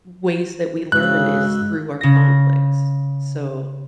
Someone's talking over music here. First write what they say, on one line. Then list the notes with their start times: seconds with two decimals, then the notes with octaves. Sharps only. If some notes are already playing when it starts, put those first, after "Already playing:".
ways that we learn is through our conflicts, so,
0.92 G2 C#3 G#3 F#4 E6 F#6
2.01 C#3 A#6